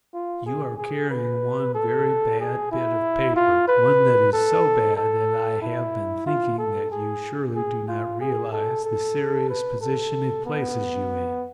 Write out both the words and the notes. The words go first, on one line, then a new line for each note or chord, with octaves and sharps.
You are carrying one very bad bit of paper--one that is so bad that I have been thinking that you surely do not realise the serious position it places you in.
F4
G#4
G#4
B4
A4
G#4
E4
F4
B4
A4
A4
E4
F4
A4
G#4
G#4
F4
G#4
A4
A4
B4
A4
B3